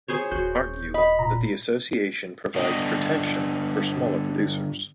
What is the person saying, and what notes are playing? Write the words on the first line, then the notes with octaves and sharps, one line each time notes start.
Members argue that the association provides protection for smaller producers.
G#4 C5 C#5
D#1 F#4 G6
D#5 B5
A#2 A#5
G2 D3 B3 D4 D#5 G5